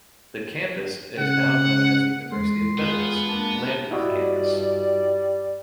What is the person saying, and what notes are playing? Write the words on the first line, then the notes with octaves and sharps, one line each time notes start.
The campus is now known as the University of Memphis - Lambuth Campus.
C#3 F#5
E2 G#3 C6
B3 F4 G#4 B4
A#3 D4
G2 G3 E4 F#4 D5 D#5